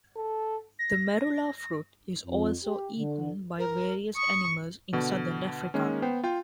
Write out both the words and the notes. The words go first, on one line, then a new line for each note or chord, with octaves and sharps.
The marula fruit is also eaten by various animals in Southern Africa.
A4
A#6
F2
G4
D3
A#4
C#6 D#6
B2 D3
D#3 G#3 A#3 C#4
B3 C5 G5
F4 G5